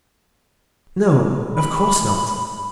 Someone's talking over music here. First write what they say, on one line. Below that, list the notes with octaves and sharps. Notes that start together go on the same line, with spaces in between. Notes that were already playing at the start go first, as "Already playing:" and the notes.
"No, of course not."
B5